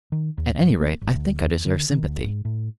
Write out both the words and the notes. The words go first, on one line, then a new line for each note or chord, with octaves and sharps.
At any rate I think I deserve sympathy.
D#3
D#2
G2
A#3
G1
D2
E2
D3
D#3
D2
G#2
A2